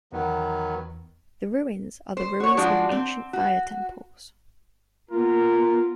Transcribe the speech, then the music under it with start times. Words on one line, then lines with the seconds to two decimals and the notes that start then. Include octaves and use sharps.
The ruins are the ruins of ancient fire temples.
0.12 E2 D#3 F#3 B3
2.17 C5
2.40 F#4 C#5
2.57 F3 G#3 D4 F4 F#4
2.91 C4
3.33 F#4
5.11 A#3 B3 F4 A#4